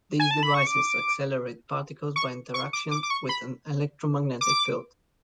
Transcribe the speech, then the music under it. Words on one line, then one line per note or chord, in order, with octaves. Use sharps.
These devices accelerate particles by interaction with an electromagnetic field.
G#5
A5
B5
C#6
D6
C#6
C#6
D6
D6
D6
C#6
B5
D6